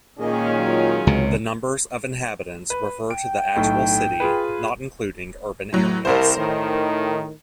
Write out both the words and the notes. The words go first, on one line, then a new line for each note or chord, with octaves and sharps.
The numbers of inhabitants refer to the actual city, not including urban areas.
A#2 D#3 G#3 A#3 C#4 G#4 D#5
F#3 F4
C#2 C3
B4
G5 D7
B1 A2
F4 G#4 B4
A2 F#3
C2 A#4 C5
A2 D#3